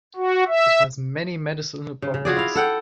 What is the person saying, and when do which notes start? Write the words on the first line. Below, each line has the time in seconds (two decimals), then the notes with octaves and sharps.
It has many medicinal properties.
0.16 F#4
0.48 E5
2.02 C#3
2.14 C#3
2.25 F4 F#4 G#4 D5
2.37 E4 F5
2.55 A4 F#5 G5